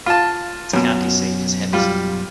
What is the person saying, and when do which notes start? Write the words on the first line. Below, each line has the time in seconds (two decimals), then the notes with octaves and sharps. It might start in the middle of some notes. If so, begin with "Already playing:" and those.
Its county seat is Henderson.
0.06 F4 A5
0.73 F#2 B2
1.73 G3 F4